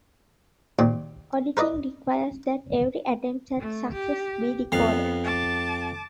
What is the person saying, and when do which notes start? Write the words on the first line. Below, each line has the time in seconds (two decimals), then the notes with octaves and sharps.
Auditing requires that every attempt at access be recorded.
0.79 D#2 A#2 C4
1.57 A#4 B4 D5 D#5
3.60 A3
3.93 G4
4.72 F2 B3 F5
5.24 A5 D6